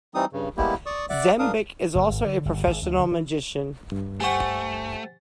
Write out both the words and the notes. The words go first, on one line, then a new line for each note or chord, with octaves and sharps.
Zembic is also a professional magician.
E3 G3 C4 D#4 D#6
G2 C#3
G3 G#3 A#3 B3 E4 G4
D5 C#6 D#6
D5 E5 F#5 D6
G#2 D4 A#4 F5 D#6
F#1
G#1
D3
G1
G#1
D2
D3
E3
G2
A3 G4 C5 F#5 G#5 C#6